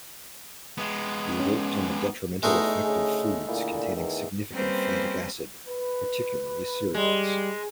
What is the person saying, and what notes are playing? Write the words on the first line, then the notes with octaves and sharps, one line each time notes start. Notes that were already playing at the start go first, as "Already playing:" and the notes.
He worked on the detrimental effect of foods containing significant phytic acid, particularly cereals.
G#3 B3
C#4
E2 B2 G#3 A3 D#4
D2 C#3 G#4
A#2 D3 E4
E2 D#3
G3 A#3 C4 C#4 B4 C5
B4
G3 G#3